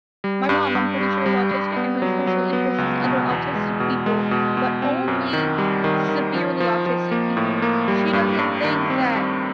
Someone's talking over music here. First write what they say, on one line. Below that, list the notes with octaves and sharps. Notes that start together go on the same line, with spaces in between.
My mom, I'm pretty sure is autistic and her special interest is other autistic people, but only severely autistic people. She doesn't think that
G3
G2
G2
G3
G3
G3
B3
F#3
F#3
B3
C#2
B2
E2
G#3
B2
G#3
B2
B2
C4
F#2
D#3
G3
D#3
D#3
F3
F3
F3
A#3
A2
A#3
G3
G2
G2
D#3
C4
G3